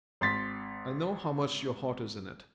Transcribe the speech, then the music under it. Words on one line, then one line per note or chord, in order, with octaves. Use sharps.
I know how much your heart is in it.
G#1 C6 A6 B6